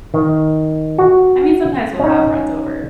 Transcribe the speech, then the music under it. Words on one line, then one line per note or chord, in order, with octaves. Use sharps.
I mean, sometimes we'll have friends over
D#3
F#4 F#5
C#4 D#4